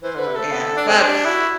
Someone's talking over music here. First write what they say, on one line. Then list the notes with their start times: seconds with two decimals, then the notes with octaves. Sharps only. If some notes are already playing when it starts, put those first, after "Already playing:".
Yeah, that's
0.02 E3 C5
0.15 D3 B4
0.28 C3
0.35 A3 A4
0.52 B3
0.77 D4
0.89 C4
1.01 D4 G4
1.25 E4 F#4